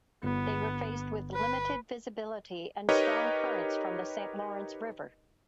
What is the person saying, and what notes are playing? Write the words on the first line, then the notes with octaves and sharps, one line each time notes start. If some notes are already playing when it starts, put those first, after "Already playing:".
They were faced with limited visibility and strong currents from the Saint Lawrence River.
G1 B3
B4
D#4 G4 A#4 B4 C#5 D#5